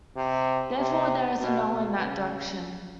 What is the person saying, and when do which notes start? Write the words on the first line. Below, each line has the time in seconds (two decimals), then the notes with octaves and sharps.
Therefore, there is a null in that direction.
0.17 C3
0.78 C3
1.41 B2
1.71 B2
2.03 C#3